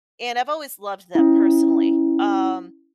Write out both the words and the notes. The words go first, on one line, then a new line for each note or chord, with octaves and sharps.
And I've always loved them, personally. Um,
C#4 E4